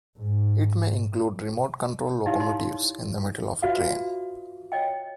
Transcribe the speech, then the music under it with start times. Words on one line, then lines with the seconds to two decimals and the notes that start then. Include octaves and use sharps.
It may include remote control locomotives in the middle of a train.
0.18 G#2
2.26 D#4 E4 G4 C#5 D5 F5
2.39 D#4 C6
3.62 F4 F#4 B4 D5 E5 F5
4.72 C#5 D#5 G5